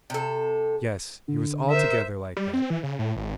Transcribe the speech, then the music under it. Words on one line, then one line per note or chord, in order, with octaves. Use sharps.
Yes, he was altogether like that.
C3 A4
D3
A#4 C5 E5
G3
C4
E3
C#3
A2
G#1